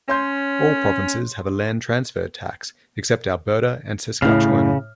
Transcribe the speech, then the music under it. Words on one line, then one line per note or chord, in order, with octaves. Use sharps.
All provinces have a land transfer tax, except Alberta and Saskatchewan.
C#4 C#5 C6 G6
A2 C#3 F6